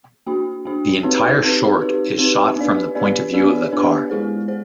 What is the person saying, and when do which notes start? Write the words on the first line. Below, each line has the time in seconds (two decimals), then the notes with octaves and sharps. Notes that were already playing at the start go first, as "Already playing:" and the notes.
The entire short is shot from the point of view of the car.
0.27 A#3 D4 F#4
0.65 A#3 D4 F#4
1.03 C4 D#4 G4 B4
1.42 C4 D#4 G4 B4
1.79 C4 D#4 G4 B4
2.18 C4 D#4 G4 B4
2.56 B3 D4 G4 B4 D5
2.95 B3 D4 G4 B4 D5
3.33 B3 D4 G4 B4 D5
3.72 B3 D4 G4 B4 D5
4.10 G#3 B3 E4 G#4 C5
4.48 G#4 C5